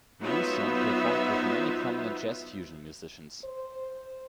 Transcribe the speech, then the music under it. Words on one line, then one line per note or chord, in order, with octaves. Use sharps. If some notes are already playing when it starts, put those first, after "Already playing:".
Mouzon performed with many prominent jazz-fusion musicians.
F#3 B3 D#4 F4 C5 E5
C5